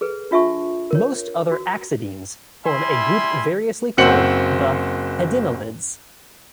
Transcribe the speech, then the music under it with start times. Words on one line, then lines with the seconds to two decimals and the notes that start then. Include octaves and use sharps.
Most other axodines form a group variously called the pedinellids.
0.01 G#4 A4 B4
0.31 D4 F4 E5 A5 C#6
0.91 A#4 C#5
1.52 F#4
2.66 G3 E4 E5 G#5 B5 C6
3.98 F#1 C4 F#4 C5 C#7 F#7